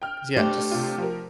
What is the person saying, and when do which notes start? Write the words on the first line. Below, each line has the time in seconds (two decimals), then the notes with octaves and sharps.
'Cause, yeah, just
0.02 G5 F6
0.36 A3 D4 G4 C5
0.71 C3 F4
0.98 F3 A#4